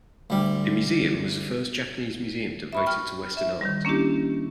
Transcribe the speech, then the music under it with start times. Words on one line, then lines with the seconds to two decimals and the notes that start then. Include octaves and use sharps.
The museum was the first Japanese museum devoted to Western art.
0.30 D2 G3
2.73 E5 B5 C#6
2.86 G5 C#6 F6
3.37 E5
3.61 D#3 G3
3.85 A#3 C#4 D4 E4 G4